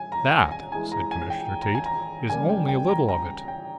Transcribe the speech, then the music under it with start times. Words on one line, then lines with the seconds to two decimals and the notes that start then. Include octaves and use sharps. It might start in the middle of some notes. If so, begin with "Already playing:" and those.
"That," said Commissioner Tate, "is only a little of it."
Already playing: G3 G#5
0.12 A#5
0.32 G#5
0.52 G#5
0.72 E3 G#3 G#5
0.92 A#5
1.11 G#5
1.30 G5
1.62 A#5
1.75 G#5
1.86 A#5
2.29 C#3 G3 A#3 G#5
2.49 G5
2.68 G5
2.89 A#5
3.08 A#5
3.48 G5